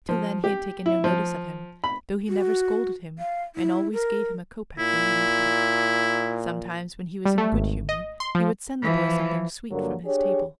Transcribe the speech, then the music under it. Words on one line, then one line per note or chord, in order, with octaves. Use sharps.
Till then he had taken no notice of him, though he never scolded him, and always gave him a copeck when he met him. Sometimes, when he was in good humor, he would send the boy something sweet from his table.
F3
G4
E4
F3
B5
F#4
F5
E4
A#4
A#2 E4
G3
A3
G#1
D#5
C6
F3
E3 F3
G2 D3 F#3 A#3
D4 G4 G#4 C#5